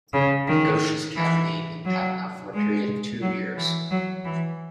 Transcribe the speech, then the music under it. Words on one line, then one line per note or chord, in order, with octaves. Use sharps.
Ghosh's Academy in Patna for a period of two years.
C#3
D#3
E3
F#3
G#3
F#3
E3
F#3
E3